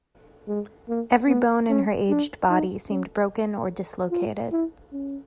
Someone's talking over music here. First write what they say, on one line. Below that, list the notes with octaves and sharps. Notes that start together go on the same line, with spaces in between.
Every bone in her aged body seemed broken or dislocated.
G#3
A#3
B3
C#4
D4
D#4
C#4
F4
E4
C#4